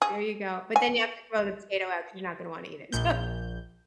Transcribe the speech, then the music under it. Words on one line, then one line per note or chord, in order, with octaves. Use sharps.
There you go, but then you have to throw the potato out, 'cause you're not gonna wanna eat it, so
G#4
G#5
A#1 G6